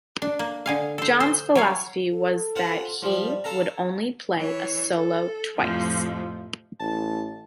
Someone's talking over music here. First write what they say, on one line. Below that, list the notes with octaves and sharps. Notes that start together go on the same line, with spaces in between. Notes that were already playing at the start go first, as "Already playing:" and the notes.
John's philosophy was that he would only play a solo twice.
D4
A#3
D3 G#4 F5
A4 C5
C5
F#3 C#5 F5
A4
F4 C5 F#5
F3 G3 D5
A4 F5 A#5
E3 C#5
A4
F2 A2 C3 F3
A1 A5